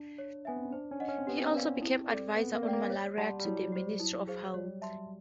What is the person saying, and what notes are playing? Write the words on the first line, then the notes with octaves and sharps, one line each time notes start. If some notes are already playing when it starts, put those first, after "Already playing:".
He also became adviser on malaria to the Ministry of Health.
Already playing: D4
C#5
B3 E5 G#5
C4
C#4
D4 C5
C#4
D#5 F#5
C#4
C4
B3 G4
C4
B4 D5 F5
E4
A4 D5
B3 A4
A#3
D5
G5
A#3
C#5
G3 F#5 A5 C6
G3
F#3 E4
G4 C5
E4
G#4 C5 F5
G3 C#5
E5 A5 C6